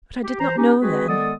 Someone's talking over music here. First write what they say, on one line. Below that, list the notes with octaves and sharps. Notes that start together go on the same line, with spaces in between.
But I did not know then.
G4
E3 C5 A#5
C#4 D#4 G4
G#3 C4 F#4 G#4 B4
D#3 G#3 B3 A4 D5 D#6